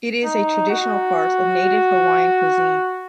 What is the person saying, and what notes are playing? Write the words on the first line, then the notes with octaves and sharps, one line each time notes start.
It is a traditional part of Native Hawaiian cuisine.
D#4
F#4